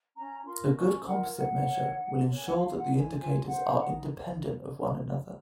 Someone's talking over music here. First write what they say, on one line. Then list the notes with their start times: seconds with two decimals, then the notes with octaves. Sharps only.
A good composite measure will ensure that the indicators are independent of one another.
0.15 C#4 A#5
0.45 F4 A#4 C6
0.75 C#4 C#6
1.06 F4 A#4 F#5
1.36 D#4 F#5
1.66 A#4 C#5
1.96 D#4
2.27 A#4 C#5
2.36 G#5
2.46 F#5
2.57 F4 F5
2.76 F#5
2.86 C5
2.97 G#5
3.17 F4 G#5
3.47 C5 F#5
3.78 D#4 F#5